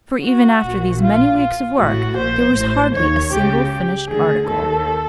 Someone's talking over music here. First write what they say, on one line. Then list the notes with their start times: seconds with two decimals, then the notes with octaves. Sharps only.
For even after these many weeks of work there was hardly a single finished article.
0.24 F#4
0.63 A#1 A#2
1.02 F4
1.40 F4
1.78 A1 A2 F#4
2.17 A#1 A#2 C5
2.56 A1 A2
2.94 D#2 D#3 C#5
3.32 C#2 C#3 G4
3.71 G4
4.09 D2 D3 G#4
4.48 D#2 D#3 A4